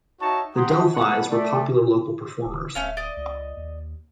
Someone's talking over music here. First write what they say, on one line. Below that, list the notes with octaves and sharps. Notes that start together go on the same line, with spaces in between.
The Del-Phis were popular local performers.
D#4 F#4 C#5 E5 A5 C#6
G4 F#5 A#5 C6 D#6
G3 A3 B3 B4 F#5
A3 D5
D#1
D1 A3 C#4 F5
D5 D#5
C#2
D#2